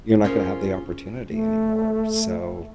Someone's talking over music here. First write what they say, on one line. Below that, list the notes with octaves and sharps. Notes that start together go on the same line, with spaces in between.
you're not gonna have the opportunity anymore, so
C#4 F4 G#4 A#4 C5
A3